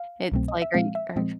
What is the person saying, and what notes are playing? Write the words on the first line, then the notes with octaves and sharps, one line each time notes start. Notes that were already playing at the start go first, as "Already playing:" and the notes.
It's like, "Are are
Already playing: F5
C2 B2 F#3 A3 C4
D#5
E5
A#2 F3 G#3 C4 F5
E5
A#2 F3 G#3 C4 D#5